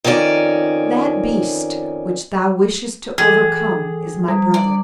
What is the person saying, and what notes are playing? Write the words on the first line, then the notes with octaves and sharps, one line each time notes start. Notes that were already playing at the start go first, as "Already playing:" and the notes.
'That beast which thou wishest to overcome is my brother.
F2 D#3 C#4 E4 D5
E3 G#4 A4
G3
D5